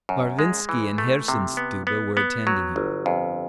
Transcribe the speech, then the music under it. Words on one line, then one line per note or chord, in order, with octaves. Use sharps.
Varvinsky and Herzenstube were attending him.
F#2
G#3
E3
A3
C3
B3
B3
B3
F#3
G1
F2